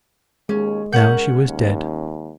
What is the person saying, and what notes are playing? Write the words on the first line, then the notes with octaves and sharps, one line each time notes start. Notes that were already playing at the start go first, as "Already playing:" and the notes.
Now she was dead.
D#2 G#3 C#4
C#4 A#4 F#5 G6
D#2